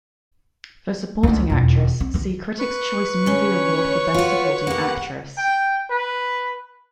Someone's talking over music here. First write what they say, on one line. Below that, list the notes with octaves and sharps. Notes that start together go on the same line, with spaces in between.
For supporting actress, see Critics' Choice Movie Award for Best Supporting Actress.
D2 D#4
E1 F2
C4
D#3 E3
B4 C#6
D2 C#4 C#5
F4 F#4
A#3 G4 F#5
G5
B4